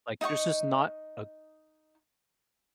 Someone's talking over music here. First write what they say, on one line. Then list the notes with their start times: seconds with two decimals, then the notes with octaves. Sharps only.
Like there's just not a
0.21 D#4 D#5 G5 C#6